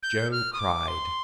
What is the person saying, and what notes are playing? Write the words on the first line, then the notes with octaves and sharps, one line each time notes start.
Joe cried.
G6
F6
D#6
D6
C6